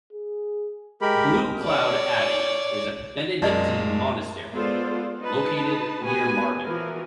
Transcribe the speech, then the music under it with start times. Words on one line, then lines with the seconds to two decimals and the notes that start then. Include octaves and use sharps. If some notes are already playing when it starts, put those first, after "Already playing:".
Blue Cloud Abbey is a Benedictine monastery located near Marvin.
0.13 G#4
1.02 G#3 G4 A#4 B5
1.64 C#5 D5
3.42 B1 F#2 G#3 F4 A#4 D5 D#5 A5
4.53 G#3 B3 F4 A4 C5 D5
5.21 D#4 B4 A5
6.03 A#3 B3 F#4 G4 B4 G#5
6.64 E3 F3 F#4 A#4